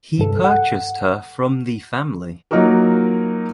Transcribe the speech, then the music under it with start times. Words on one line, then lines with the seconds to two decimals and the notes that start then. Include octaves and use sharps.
He purchased her from the family.
0.18 C2 G2 A4
0.44 F#5
2.51 F#3 A#3 D#4 F4 F#4 A#4